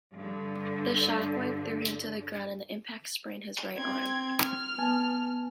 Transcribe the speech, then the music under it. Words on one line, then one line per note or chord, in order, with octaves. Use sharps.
The shockwave threw him to the ground, and the impact sprained his right arm.
G2 D3
C4 G#6
F6
B3 G#5 A5